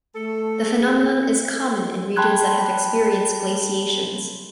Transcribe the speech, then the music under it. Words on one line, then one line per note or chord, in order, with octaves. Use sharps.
The phenomenon is common in regions that have experienced glaciations.
A3 A4
G#4
G5 A5 B5 C6 F#6 G#6